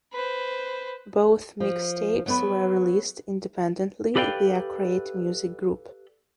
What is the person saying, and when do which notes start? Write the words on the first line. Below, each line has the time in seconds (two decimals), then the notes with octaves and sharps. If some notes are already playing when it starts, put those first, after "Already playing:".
Both mixtapes were released independently via Create Music Group.
0.13 B4 C5
1.60 F3
2.26 F#3 B3 B4
4.16 G4 A4 B4 D5 F5 G5